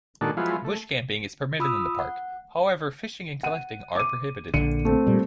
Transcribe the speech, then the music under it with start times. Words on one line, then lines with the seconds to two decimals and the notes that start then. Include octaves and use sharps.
Bush camping is permitted in the park, however fishing and collecting are prohibited.
0.21 A#2 D#3 G#3 D4 F#4 A4
0.37 F3 F#3 G#3 B3 E4 F4
0.64 A3
1.59 F4 B5 D#6 E6
1.99 F#5
3.43 F#5 D#7
3.95 D6 D#7
4.54 A#1 D3 C#7 D#7
4.85 A3 C4
5.07 A#2 G3